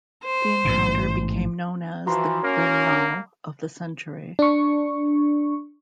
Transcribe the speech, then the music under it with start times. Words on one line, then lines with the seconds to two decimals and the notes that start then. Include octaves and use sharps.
The encounter became known as the Gre-Nal of the Century.
0.25 C5
0.65 A1 G#2 B2
2.06 E3 F3 F#4 A#5 C6
2.44 A#3 C#4 A#4
4.39 D4 C#6